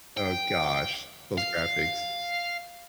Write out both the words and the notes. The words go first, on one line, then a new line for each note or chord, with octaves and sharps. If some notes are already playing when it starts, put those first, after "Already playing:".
Oh gosh, those graphics.
G5
F5